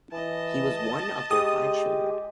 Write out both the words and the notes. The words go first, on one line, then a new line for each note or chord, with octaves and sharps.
He was one of their five children.
E3 D#5 A5
G#3 G4 D#6